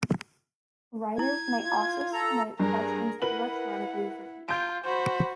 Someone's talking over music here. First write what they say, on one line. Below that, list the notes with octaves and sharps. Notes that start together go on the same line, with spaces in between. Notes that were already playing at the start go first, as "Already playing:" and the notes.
Writers may also submit questions electronically for feedback.
E4 G#6
F4
A4 A#5
G2 G#4 A#4 A#5
E4 A#4 B4 F#5 F#7
F4 G6 D7
F#4 C5 B5